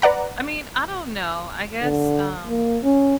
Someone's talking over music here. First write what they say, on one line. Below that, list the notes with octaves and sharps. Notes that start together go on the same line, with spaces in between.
I mean, I don't know, I guess, um,
B4 D5 F#5 A#5
D3
A#3
C#4